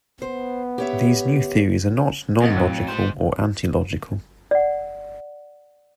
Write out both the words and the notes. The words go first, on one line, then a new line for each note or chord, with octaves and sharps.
These new theories are not non-logical or anti-logical.
B3 C5
G4 C#5 E5
F2 D#3 B3 D#5
A2 F#3
G#3 C5
D5 F#5